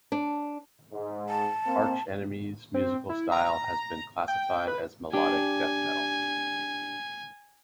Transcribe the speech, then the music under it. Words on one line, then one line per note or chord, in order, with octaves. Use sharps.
Arch Enemy's musical style has been classified as melodic death metal.
D4
G#2
A5
A#3 C4
C4
E4
A#5
G5
B4
D4 G4 G#5